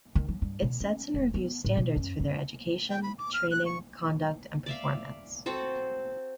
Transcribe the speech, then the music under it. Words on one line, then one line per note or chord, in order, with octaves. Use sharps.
It sets and reviews standards for their education, training, conduct and performance.
D#3
F#3
G2
B2
C#4
E1
B3
A2
B2
F#2
F#2
G5
B5
D6
F6
F#6
C#6
D5 E5 F5
C4 F#4 A4 C5